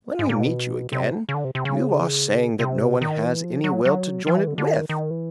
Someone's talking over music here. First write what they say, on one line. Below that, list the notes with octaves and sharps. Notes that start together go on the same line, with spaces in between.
When we meet you again you are saying that no one has any will to join it with.
G#2
A#2
B2
C3
C#3
D3
C3
C3
C#3
C3
D#3
E3
F3
F#3
F#3
F3
E3
D3
D3
D#3
D#3
E3